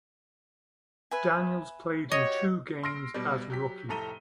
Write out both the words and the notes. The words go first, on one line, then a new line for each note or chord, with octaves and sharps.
Daniels played in two games as rookie.
B4 E5 G#5
F#4 G4 C#5 D#5
C6 E6 F6 A#6 C7 D7
B2 G3
F#3 G4 B6
F1 A2 A4 A#5 D#7 G7